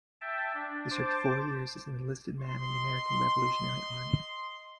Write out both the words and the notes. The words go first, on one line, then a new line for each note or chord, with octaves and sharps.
He served four years as an enlisted man in the American Revolutionary Army.
E5 G5 A5
D4
C5 A5 D6
D#5 C6